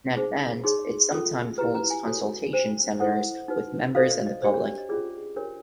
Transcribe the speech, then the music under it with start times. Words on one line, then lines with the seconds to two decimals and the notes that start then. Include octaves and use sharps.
In advance it sometimes holds consultation seminars with members and the public.
0.16 D#4 G#4 C5
0.64 D#4 G#4 C#5 C6
1.11 C#4 F4 A4
1.58 E4 G4 B4 A#5
1.75 A#5
1.90 G#5
2.06 F#4 A4 C#5
2.53 D4 G4 C5
3.00 E4 A4 C5 F#5
3.48 D#4 F#4 B4
3.95 F#4 A4 C5 F5
4.03 D#5
4.11 D5
4.27 D#5
4.42 D4 G4 C5 D5
4.54 C#5
4.66 D5
4.78 D#5
4.89 C#4 F4 G#4 D5
5.36 D4 G4 A#4 C#5